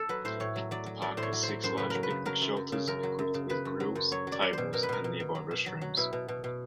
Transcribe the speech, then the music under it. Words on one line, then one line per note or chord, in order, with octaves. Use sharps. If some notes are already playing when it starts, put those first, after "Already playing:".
The park has six large picnic shelters equipped with grills, tables and nearby restrooms.
Already playing: A4
F#3 B4
A2 C5
A2 C#5
F#3
F#3 D5
F#3
F#3 D5
A2 C5
C#5
F#3
C5
F#3
F#2 C5
C#3 B4
F#3 A#4
B4
C#3
F#3 A#4
F#2
F#2
C#3
F#2 A#4
F#3
F#2
C#3
C#3 B4
F#2
F#3
F#2
F#3 C#5
F#3
D5
F#3
B2 C5
B2 A#4
B4
B2 A#4
B2
B2
F#3
B2
F#3
F#3
B2 E4
B2
B2
B2